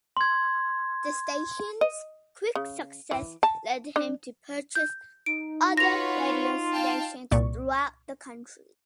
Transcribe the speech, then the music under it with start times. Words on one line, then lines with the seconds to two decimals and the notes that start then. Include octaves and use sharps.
The station's quick success led him to purchase other radio stations throughout the country.
0.17 C6 G#6
1.81 D#5
2.56 C#3
3.11 E3
3.43 A5
3.96 D4
4.75 G6
5.26 D#4 D7
5.77 F4 F#4 B4 C#5 A#6 F7
6.71 F5 G5 A5
7.31 C2 A#2 D5 C#6